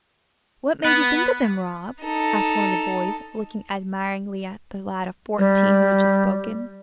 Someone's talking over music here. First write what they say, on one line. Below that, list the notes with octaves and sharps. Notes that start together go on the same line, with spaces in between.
"What made you think of them, Rob?" asked one of the boys, looking admiringly at the lad of fourteen who had just spoken.
B3 B4
D#4 A4
G3